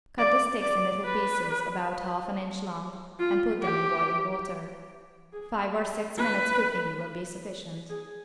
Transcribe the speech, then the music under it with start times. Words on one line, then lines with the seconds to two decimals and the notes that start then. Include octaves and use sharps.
Cut the sticks in little pieces about half an inch long and put them in boiling water. Five or six minutes' cooking will be sufficient.
0.19 D5
0.62 D5
1.05 B4
3.19 F4
3.62 G4
5.33 G#4
6.18 B4
7.90 G#4